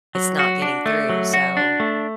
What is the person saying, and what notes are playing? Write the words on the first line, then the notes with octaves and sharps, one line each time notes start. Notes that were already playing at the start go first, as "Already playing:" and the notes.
it's not getting through, so
F#3
F#4
D4
A3
F#3
F#4
D4
A3